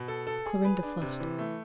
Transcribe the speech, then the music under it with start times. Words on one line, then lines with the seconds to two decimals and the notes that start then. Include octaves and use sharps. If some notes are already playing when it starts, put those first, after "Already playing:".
Clorinda flushed.
Already playing: B2
0.08 A4
0.27 A4
0.46 G#4
0.64 B4
0.83 D4
1.01 C3
1.20 E3
1.38 A3